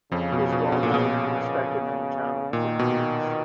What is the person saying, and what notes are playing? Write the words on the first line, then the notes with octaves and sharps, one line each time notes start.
He is well-known and respected in the town of Twin Peaks.
F2 C#3 F3
B2
B2
B2
A#2
B2
A#2 D#3
B2